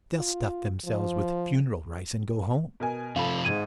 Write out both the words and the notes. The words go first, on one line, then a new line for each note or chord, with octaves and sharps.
They'll stuff themselves with funeral rice and go home....
F4
F3
B2 A#4 G#5
G#1 C3 F3 A4 F5 B5
G#1 G#2 G#6 D#7